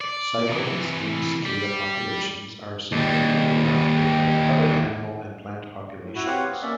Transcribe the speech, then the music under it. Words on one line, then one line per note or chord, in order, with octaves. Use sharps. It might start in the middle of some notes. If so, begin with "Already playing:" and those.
Cycles in cicada populations are significant enough to affect other animal and plant populations.
D5
C3 E3
G3
D#2 G3
A2
E4 F#4
C4 G4 B4 C#5 F5 F#5
B3
A#3 C#4 D5 E5